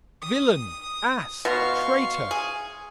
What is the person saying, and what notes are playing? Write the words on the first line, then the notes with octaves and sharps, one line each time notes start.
'Villain, ass, traitor!'
D#6
B2 F5 C6 C#6
G#4